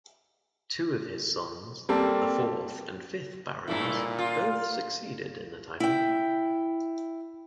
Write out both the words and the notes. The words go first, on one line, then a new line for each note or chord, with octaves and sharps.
Two of his sons, the fourth and fifth Barons, both succeeded in the title.
G3 A#3 C4 A4
G2 A#2 A3 E4
F4
E4 G5